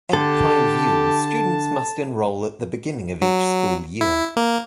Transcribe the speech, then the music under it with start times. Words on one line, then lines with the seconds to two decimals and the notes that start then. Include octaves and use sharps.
At Pine View, students must enroll at the beginning of each school year.
0.13 D3 G4 A4 A5
3.22 F#3
4.01 E4
4.37 A#3